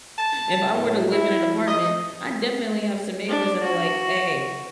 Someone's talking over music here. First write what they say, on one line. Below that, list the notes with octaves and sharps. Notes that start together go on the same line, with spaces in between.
if I were to live in an apartment, I'd definitely have some neighbors that are like, "Ay.
A5
A2
E4
D#5
D4
F#4